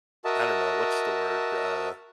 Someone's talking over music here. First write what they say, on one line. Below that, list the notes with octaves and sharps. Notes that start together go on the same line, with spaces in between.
I don't know. What's the word, uh
F#4 A#4 D#5 E5 A5